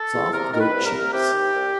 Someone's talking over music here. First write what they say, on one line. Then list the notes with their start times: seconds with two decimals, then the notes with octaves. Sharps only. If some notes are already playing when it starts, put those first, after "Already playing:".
Soft goat cheese.
Already playing: A4
0.13 E2
0.33 C3 A#4
0.53 D#3 A#4
0.60 B4
0.73 C2
0.86 A#4
0.93 C2
1.13 C3 G4
1.33 D#3
1.54 C2